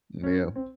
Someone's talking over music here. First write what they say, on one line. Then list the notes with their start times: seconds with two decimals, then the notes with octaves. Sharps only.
M Yeah.
0.23 C#4
0.56 C4